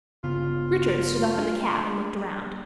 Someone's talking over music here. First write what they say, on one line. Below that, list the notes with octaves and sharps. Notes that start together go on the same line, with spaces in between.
Richard stood up in the cab and looked around.
G1 C#3 B3 F4
A3 B3 D4